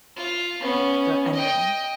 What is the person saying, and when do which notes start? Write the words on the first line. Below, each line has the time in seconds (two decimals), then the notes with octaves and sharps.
the ending.
0.16 F4
0.60 B3 C#4
1.33 D#5 G5